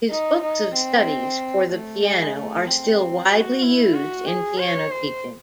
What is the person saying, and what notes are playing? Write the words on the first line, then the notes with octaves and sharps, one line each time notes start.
His books of studies for the piano are still widely used in piano teaching.
D#4
D#4
C4
A3
G#3
A3
C4
F#4
E4
F#4
G#4
C#5
C5